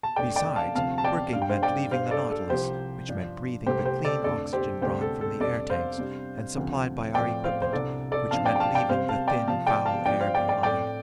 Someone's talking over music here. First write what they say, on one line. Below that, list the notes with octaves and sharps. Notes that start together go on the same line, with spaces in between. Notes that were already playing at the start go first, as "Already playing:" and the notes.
Besides, working meant leaving the Nautilus, which meant breathing the clean oxygen drawn from the air tanks and supplied by our equipment, which meant leaving the thin, foul air behind.
A5
F2 C3 A3 D4 D5 G5
D5 G5
F5 A5
D2 C3 F3 C4 F5 A5
A5
D5 G5
G2 G3 D4 F5
G5
C5 F5
D5 G5
G2 G3 D4 C5 F5
A4 D5
A4
C2 C3 F3 G4 C5
G2 F3 D4
C2 C3 A3 C4 G4 C5
G4 C5
A4 D5
F2 D3 A3 D4 A4 D5
G4 C5
D2 C3 A3 D4 G4 C5
A4
A4
F2 C3 G3 D4 A4 D5
C5 F5
C3 G3 D4
D2 C3 F3 C4
A2 F3 C4 D5 G5
C5 F5
C5
C2 C3 A3 D4 A4 D5
A4 D5
G2 F3 C4 F5 A5
D5 G5
G5
F5 A5
D5 G5
C3 G3 C4 C5 F5
F5 A5
D5 G5
C3 F3 C4 F5 A5
D5 G5
F5 A5
G2 F3 D4 D5 G5
C5 F5
D5 G5
D5 G5
A2 A3 C4 D5 G5